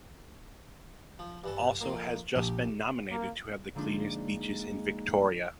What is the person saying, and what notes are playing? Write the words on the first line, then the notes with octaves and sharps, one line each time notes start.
Also has just been nominated to have the cleanest beaches in Victoria.
F3
G2 E3 A4
F2 A#3 F5
A#1 G4
A#3
D3 F3 G#3 A#3 D4 D#4